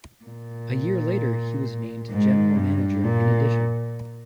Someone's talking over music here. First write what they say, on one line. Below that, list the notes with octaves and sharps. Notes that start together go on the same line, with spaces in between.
A year later he was named General Manager in addition.
A#2
G#2
G2
A#2